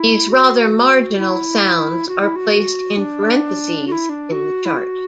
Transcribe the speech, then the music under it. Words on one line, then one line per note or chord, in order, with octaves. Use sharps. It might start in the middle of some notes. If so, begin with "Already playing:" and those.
These rather marginal sounds are placed in parentheses in the chart.
Already playing: E4
F#4
E4
F#4
E4
F#4
D4
F#4
E4
D4
F#4
E4
F#4